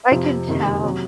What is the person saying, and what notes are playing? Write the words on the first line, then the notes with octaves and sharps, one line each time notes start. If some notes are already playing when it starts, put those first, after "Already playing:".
I can tell.
F2 C3 F3
F#1 F2 C3 D#3
C3 F#3